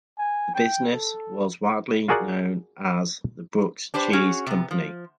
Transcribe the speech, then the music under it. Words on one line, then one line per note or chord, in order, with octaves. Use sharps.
The business was widely known as the Brooks Cheese Company.
G#5
G5
A4
F4 F#4 G#4 A#4 D5 F#5
D4 G4 B4 C5
C#4 F#4 G#4
C3 B3
F3